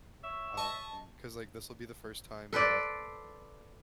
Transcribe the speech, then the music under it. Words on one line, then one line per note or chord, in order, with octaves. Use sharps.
um, 'cause, like, this will be the first time that
C#5 E5
D#5 A5 C#6
A4 B4 C5 D5